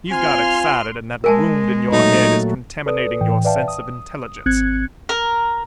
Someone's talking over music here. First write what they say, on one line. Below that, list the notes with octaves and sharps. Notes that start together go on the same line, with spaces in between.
You've got excited, and that wound in your head is contaminating your sense of intelligence.
C4 F4 G#5 C6 F6
G#3 A#4 G#5 A5
A#2 F#3 A3 D#4
A4 B4 D5 D#6
A2 E3 G5
B4 D5 E5 F5 G5 A5
D#6
G#1 C4 F#6 G#6 C#7
A#4